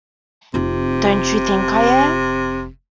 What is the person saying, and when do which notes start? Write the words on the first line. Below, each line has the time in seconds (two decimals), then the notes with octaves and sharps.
Don’t you think I am?
0.54 F1 C3 F4